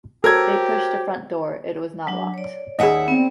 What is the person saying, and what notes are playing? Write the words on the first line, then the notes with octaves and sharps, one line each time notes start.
They pushed the front door — it was not locked.
F#4 G4 A4 A#4 C5 C#5 G#6
F#3 D4
C#5 D5
D#2 G#4 D#5 E5 F#5
B3 C4 D5